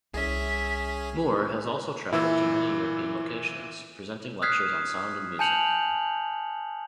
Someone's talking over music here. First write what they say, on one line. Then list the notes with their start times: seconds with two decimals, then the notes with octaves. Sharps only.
Moore has also travelled to many European locations, presenting lectures on sound and music.
0.14 C2 C#4 G#4 E5
2.12 A#2 E3 E4 E6
4.42 D#6 F6 F#6 G#6 B6 C7
5.39 G#5 A5 G6 C#7 F7 F#7